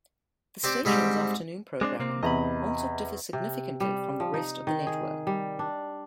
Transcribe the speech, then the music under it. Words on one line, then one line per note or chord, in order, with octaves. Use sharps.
The station's afternoon programming also differs significantly from the rest of the network.
C4 G4 D5
G#2 G3 C4 G4
G#3 C4 D4 D6
C3 A#3 C4
E2 C3 D#5 A#5 B5
C3
G3
F3
D#4
D#3
G#4
G3
D4